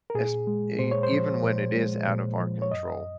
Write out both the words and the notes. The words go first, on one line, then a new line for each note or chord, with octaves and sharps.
es e even when it is out of our control,
A#4
A#2 G#4
G#3
A#2 C5
C#5
C5
F3
A#2
G#3
A#2
F3
C#5
F#2 D#5